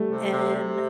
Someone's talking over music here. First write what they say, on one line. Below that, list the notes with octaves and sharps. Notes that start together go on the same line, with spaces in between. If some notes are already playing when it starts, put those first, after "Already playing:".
And m
Already playing: G3 A3
C3
C3
C3